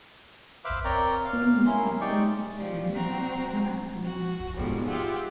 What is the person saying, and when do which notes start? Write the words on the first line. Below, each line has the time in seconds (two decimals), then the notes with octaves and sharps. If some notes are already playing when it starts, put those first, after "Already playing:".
The English translation is "donative".
0.65 B4 C5 E5 F5 B5 D6
0.84 C4 A#4 C#5 D5 G5 A#5
1.25 F5
1.66 A#3 C#4 E4 C6
2.01 D#4 G4 D5 G5 C#6
2.57 F3 G4 D5
2.92 C4 F#4 G5 A#5
4.04 F#4
4.57 G#2 B2 D3 F3 G3 G#3
4.86 F4 G4 G#4 E5 F#5